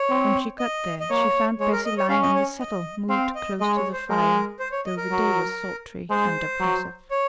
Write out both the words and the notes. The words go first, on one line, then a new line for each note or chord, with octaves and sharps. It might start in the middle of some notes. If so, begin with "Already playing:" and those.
When she got there, she found Bessy lying on the settle, moved close to the fire, though the day was sultry and oppressive.
Already playing: C#5
C4
D#5
D#5
A#3 C#5
G#3 C#5
A#4
D#5
C#5
C#4 F5
D#5
C#5
D#5
C4 F5
D#5
G#3 D#5
C#5
C5
G#3 A#4
C5
C#5
D#5
A#4
F#3
G#3 C5
F#3
C#5